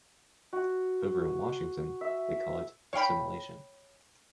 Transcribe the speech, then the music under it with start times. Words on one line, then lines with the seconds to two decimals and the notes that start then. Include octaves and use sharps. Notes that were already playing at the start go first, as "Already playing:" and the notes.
Over in Washington, they call it Assimilation.
0.53 F#4
2.01 E5
2.93 C#5 F5 G5 B5